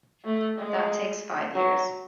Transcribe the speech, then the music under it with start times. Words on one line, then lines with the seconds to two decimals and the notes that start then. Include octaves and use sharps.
That takes five years.
0.25 A3
0.58 G#3
1.55 F#3